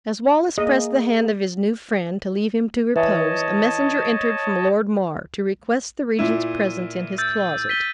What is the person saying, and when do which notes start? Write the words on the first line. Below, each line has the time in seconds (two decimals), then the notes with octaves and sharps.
As Wallace pressed the hand of his new friend, to leave him to repose, a messenger entered from Lord Mar, to request the regent's presence in his closet.
0.58 A#3 G#4 D#5
2.96 E3 C#5 D#5 A5
6.19 A#2 E4 D#7
7.18 E6 G6 A6
7.69 B6 D#7 G7